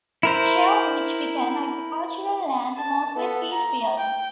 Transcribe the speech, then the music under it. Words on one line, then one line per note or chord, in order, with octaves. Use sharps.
Shell Beach became agricultural land, mostly pea fields.
E4 A#4 C5
A5
B3 A4
A#5
G5